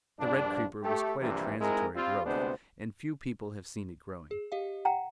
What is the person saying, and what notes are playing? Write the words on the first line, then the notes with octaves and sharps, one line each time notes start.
The red creeper was quite a transitory growth, and few people have seen it growing.
A#1 G2 D4
A3 G4
A#1 G2 C3 E3
G#3 C4 D#4 E4 G#4 A#4
G3 C4 F4
D2 C3 G#3 B3 D4 C5
G#4
G4 D#5 F5
F#5 G5 A#5